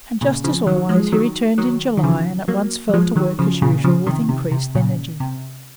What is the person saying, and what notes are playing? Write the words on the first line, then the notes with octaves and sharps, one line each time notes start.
And just as always he returned in July and at once fell to work as usual with increased energy.
A#2 C#3
C#3 F3
D#3 F#3
F3 G#3
D#3 F#3
D#3 F#3
D#3
C#3 F3
F#3 A#3
F#3
F3 G#3
D#3 F#3
C#3 F3
A#2 C#3
C#3 F3
C3 D#3
C3
C3
A#2 C#3
C3